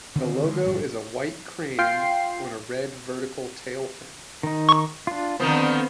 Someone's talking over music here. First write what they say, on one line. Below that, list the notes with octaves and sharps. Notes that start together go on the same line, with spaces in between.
The logo is a white crane on a red vertical tail fin.
D3 D#3 C4
D3 D#3 G#3
A#1 G2 D3
F4 G5 C7
D#3 D#4
D4 F4
D3 D#3 F3 B3 C4 D#6